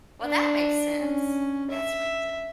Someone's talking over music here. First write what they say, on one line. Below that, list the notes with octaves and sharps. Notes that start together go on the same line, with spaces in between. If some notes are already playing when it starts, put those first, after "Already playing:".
Well, that makes sense. That explains it.
D4
C#4
E5